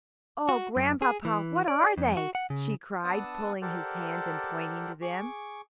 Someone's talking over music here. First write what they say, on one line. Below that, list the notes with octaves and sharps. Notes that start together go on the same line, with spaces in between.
"Oh, Grandpapa, what are they?" she cried, pulling his hand and pointing to them.
F#4
F#2
G#4
E3
D5
F2
F#4
F#5
C#3
B3 D4 F#5 A5 D#6 E6
G4 A4 A#4 C5 D5 F#5
G#4 C#6 D6